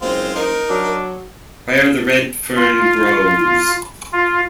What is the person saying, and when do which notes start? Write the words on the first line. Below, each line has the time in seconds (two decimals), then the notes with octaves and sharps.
Where the Red Fern Grows...
0.02 F#1 G#3 C4 F4 C5
0.36 D#4 A#4
0.70 F#3 D4
2.57 F4
4.13 F4